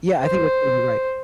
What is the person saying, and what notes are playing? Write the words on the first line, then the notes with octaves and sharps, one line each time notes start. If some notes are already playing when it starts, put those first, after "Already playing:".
Yeah, I think that's totally right.
C5